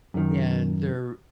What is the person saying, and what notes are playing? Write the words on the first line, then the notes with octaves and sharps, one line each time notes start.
and they're
F#2 D#3